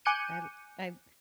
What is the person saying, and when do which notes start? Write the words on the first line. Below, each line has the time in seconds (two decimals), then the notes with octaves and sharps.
I l I I
0.05 G#5 D6 F#6 G6 C#7 D#7